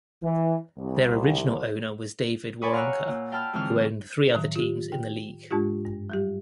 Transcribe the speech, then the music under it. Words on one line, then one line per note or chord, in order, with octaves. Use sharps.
Their original owner was David Waronker, who owned three other teams in the league.
E3
C2
C#5 D5 G#5 B5 C#6 D#6
F5 F#5 A#5 C#6 E6 F#6
A#2
F5 G5 A5 B5 E6 F6
F2 G#2 D3 E3 C4 F6
A2 D#3 F#3
F4 G4
G5
G#2 G#3 D4 F4 G4
G2
F#3 G3 G4